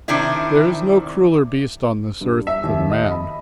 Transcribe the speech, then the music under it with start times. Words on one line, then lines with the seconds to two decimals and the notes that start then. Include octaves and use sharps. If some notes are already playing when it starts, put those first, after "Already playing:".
There is no crueller beast on this earth than man.
0.08 C3 D#3 C4 D4 E4
2.21 G2
2.47 E5
2.64 D#2
2.90 D#5
3.11 B5